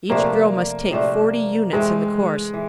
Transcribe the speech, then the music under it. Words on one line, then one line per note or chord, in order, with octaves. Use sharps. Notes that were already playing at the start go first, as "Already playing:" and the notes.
Each girl must take forty units in the course.
C3 F3 A3 A#3 D4
C3 F3 A3 D4
E3 G#3 A3 C4
E3